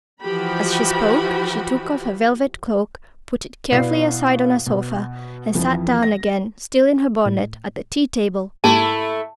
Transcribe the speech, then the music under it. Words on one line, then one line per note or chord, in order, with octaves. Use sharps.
As she spoke she took off her velvet cloak, put it carefully aside on a sofa, and sat down again, still in her bonnet, at the tea-table.
E3 F3 F#4 G4 B5
B2 E4 B4 D5 F5 C7
B2
F2 E3 F3
A#6
A2
G#2 A3 A#3 E4 G4 A5